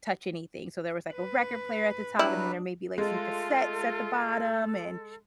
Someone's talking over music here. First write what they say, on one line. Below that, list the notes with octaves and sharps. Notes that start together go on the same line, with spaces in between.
touch anything, so there was, like, a record player at the top, and then there may be, like, some cassettes at the bottom, and,
B4
F#3 G3 D4 E4 B4
G#3 A3 F4 A4